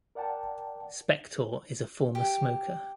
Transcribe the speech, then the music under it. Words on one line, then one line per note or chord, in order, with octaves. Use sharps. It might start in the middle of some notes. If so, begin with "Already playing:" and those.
Spektor is a former smoker.
A#4 D5 F#5 G5 A5
G4